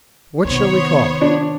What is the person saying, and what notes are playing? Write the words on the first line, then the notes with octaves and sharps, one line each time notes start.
What shall we call it?
C3 D#3 B3 C5 C#5
D4